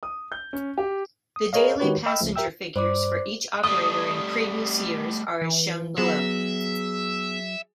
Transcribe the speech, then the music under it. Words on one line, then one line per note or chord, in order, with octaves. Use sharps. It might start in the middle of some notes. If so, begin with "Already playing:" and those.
The daily passenger figures for each operator in previous years are as shown below.
D#6
G6
C#4
G4
D#6
G#4 A#4 B4 C#5 D#5 F5
D#3 G#3 F#4 G4 B4 C#5
D#5 G5 B5 E6 F6
C#2 C#3 F3 A3
G4 A#4 E5 G5 E6
G2 C5 D5 D6
G3 A3 D#6
E3
F#3 B3 G#4 E5